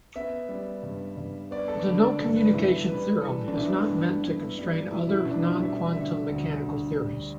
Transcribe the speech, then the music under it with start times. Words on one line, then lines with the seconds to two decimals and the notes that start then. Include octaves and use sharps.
The no-communication theorem is not meant to constrain other, non-quantum-mechanical theories.
0.16 B3 E5
0.49 G3
0.83 G2
1.17 G2
1.51 B3 D5
1.68 A4
1.79 D5
1.85 D3 B4
2.03 D5
2.20 G2 A4
2.36 B4
2.53 G2 E4
2.88 G3 B4
3.22 E3 A4
3.48 D4
3.55 B3 E4
3.89 G2
4.23 B3
4.58 G3
4.91 B2 E4
5.09 E4
5.25 B2 D4
5.43 E4
5.59 G3 E5
5.93 D3 E5
6.28 D2
6.61 D2
6.95 G3